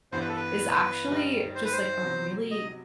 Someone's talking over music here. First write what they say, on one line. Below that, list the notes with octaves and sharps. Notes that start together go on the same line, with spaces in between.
is actually just, like, a really,
G2 E3 B3 C5
B4
A4
B4
G2 D#3 G3 D#4
C5
B4
C5
C3 F#3 B3
D#5